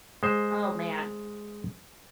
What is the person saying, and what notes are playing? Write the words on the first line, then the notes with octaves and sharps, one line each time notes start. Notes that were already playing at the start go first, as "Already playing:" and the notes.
oh man.
G#3 C5